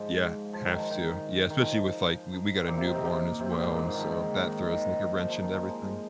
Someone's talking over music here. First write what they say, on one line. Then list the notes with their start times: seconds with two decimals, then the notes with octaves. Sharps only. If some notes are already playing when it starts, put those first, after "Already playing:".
Yeah. Have to. Yeah, especially with, like we we got a newborn as well and, so, that throws like a wrench into everything.
Already playing: G#2 F3 G#3
0.53 F3
0.66 D#3
0.78 F3
0.90 D#3
1.50 D#3
1.61 F3
2.32 F3
2.61 C4
2.68 A#2 A#3
2.77 C3 C4
2.86 D#3 D#4
2.95 C3 C4
3.04 A#2 A#3
3.40 C3 C4
3.52 A#2 A#3
3.64 G#2 G#3
3.75 A#2 A#3
3.87 G#2 G#3
3.94 D#3 F3
4.12 D#3
4.48 D#3
4.72 D#3
5.19 F3
5.30 F3
5.43 D#3
5.54 F3
5.63 G#3
5.70 F3